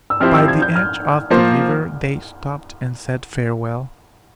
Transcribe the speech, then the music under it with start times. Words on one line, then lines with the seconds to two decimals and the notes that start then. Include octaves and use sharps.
BY the edge of the river they stopped and said farewell.
0.10 E6
0.20 F3 C4 E4 G4 C5 F6
0.34 E6
0.48 G#6
0.62 G6
0.76 F6
1.30 F3 A#3 F4 C5